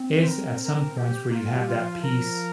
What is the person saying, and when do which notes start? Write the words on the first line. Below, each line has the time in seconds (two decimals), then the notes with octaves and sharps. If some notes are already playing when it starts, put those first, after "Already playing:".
is at some points where you have that peace,
Already playing: C4
0.21 C5
0.28 A#4
0.63 A#4
0.97 G4
1.32 A#3 F4
1.55 G3
1.67 F4
1.78 F3
2.02 A#4